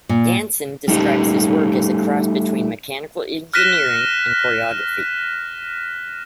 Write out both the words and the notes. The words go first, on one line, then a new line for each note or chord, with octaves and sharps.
Ganson describes his work as a cross between mechanical engineering and choreography.
A#2
G3 A3 D#4 G4
F6 F#6 A#6 B6 D#7 E7